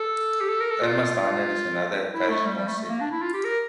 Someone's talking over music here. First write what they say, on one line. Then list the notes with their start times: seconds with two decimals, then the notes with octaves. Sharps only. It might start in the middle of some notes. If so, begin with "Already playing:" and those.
Irma's Diner is another occasional setting.
Already playing: A4
0.41 G4
0.49 A4
0.60 A#4
0.70 A4
0.82 F4
2.13 E4
2.29 A3
2.46 G3
2.56 G3
2.67 A3
2.78 A3
2.89 A#3
3.01 D4
3.11 E4
3.22 F4
3.33 G4
3.44 A#4